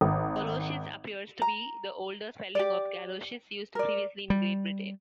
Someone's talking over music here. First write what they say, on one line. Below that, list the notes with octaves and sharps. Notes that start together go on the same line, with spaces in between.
"Goloshes" appears to be the older spelling of "galoshes" used previously in Great Britain.
G#1
A#5
G4 D5
A#4 D5
G3